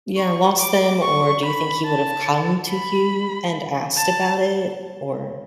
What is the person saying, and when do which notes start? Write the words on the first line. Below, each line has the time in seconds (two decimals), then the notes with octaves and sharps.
Yeah, lost them, or do you think he would have come to you and asked about it? Or
0.16 C#6
0.59 D6
1.01 C#6
1.43 B5
1.85 A5
2.69 B5
3.96 A5